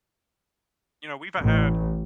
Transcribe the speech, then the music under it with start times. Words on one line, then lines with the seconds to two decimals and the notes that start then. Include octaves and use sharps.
you know, we've, uh, had
1.39 A1